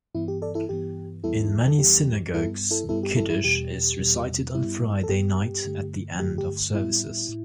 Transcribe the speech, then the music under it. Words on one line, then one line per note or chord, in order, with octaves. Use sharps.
In many synagogues, "kiddush" is recited on Friday night at the end of services.
G2 E3 B3 E4
G4
A4 D5
E4 A4
G2 E3 B3 G4
E2 E3 G3 B3 E4 A4
A4
E2 E3 G3 B3 G4
G2 G3 B3 E4 A4
E4 A4
G2 G3 B3 E4 A4
G4
E4 A4
E4
E2 B2 G3 G4
E2 B2 G3
G2 G3 B3 E4
A4
G2 G3 B3 G4
G2 D3 A3
G2 D3 A3 G4
G4
A2 G3 B3 E4
A2